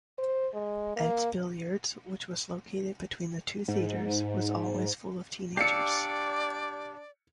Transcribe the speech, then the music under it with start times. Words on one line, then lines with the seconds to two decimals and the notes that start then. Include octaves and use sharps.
Ed's Billiards which was located between the two theaters was always full of teenagers.
0.18 C5
0.54 G#3
0.96 A#3
3.68 G#2
5.57 D4 G4 D5 F5 E6 C7 C#7